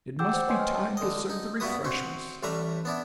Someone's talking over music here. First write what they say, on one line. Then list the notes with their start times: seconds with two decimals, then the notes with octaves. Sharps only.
It must be time to serve the refreshments.
0.19 G#4 F#5 G5 D6 E6 G6
0.33 C5
0.48 B4 C#5 D#5 G#5 C6
0.59 G5 F6
0.75 A5
0.97 D3 D#5
1.30 D#4
1.60 G2 B3 E4 F#4 B4 D#6
1.84 C4 F#4
2.43 A1 A2 G3 B4 E5 A#5
2.85 B3 D4 E4